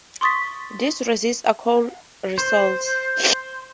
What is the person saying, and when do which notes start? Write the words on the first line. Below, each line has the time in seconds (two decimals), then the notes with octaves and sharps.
These resins are called resoles.
0.21 C6 C#6 D#6 A6 B6
2.38 C5